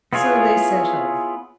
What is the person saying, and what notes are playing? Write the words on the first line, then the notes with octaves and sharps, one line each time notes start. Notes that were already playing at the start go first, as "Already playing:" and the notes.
So they set off.
B3 E4 F4 G#4 C#5